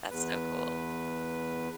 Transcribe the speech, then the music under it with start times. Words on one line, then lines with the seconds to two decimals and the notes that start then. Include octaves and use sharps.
That's so cool.
0.11 E2 B4